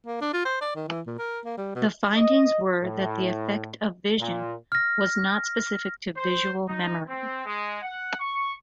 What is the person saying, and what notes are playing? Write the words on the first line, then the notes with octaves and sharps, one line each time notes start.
The findings were that the effect of vision was not specific to visual memory.
A#3
D4
F4
C5
D5
D#3
E3
A#2
A#4
A#3
G3
B2
D#5
A2
A#2
F6 A#6
C5
D#4
C4
G#3
F#5
C#6